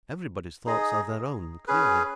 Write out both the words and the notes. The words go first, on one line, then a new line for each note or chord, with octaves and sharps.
Everybody's thoughts are their own, clearly.'
D#4 G#4 D#5
C#4 G#4 B4